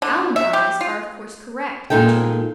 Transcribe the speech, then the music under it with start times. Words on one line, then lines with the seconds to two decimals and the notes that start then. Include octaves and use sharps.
Almond eyes are of course correct in Chinamen.
0.02 D3
0.36 E5
0.53 G4
0.81 F4
1.90 A#2 G#3 D#4 A4 G5